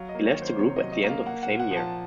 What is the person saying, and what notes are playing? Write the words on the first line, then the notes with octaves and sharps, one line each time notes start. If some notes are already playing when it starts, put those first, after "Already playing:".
He left the group at the end of the same year.
Already playing: F#3 F5
D#5
A#3
C#5
D#3
C5
C3 C#5
D#5
F#3
D#5
A#3
F5
A#3 F#5
F#5
A#2
F#5
F3
A5